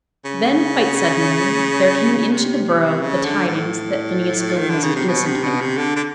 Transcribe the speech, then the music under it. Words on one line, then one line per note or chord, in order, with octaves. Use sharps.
Then, quite suddenly, there came into the borough the tidings that Phineas Finn was an innocent man.
C#3
C3
C#3
D3
A2
D#3
D3
C#3
C3
B2
C3
B2
C3
D3
D3